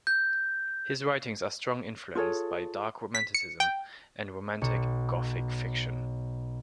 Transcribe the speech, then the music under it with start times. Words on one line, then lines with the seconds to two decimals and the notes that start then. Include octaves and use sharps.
His writings are strong influenced by Dark Romanticism and Romantic gothic fiction.
0.07 G6
2.15 F4 G#4 A4 C#5
3.15 B6
3.35 C#7
3.60 G5
4.61 B1 C#7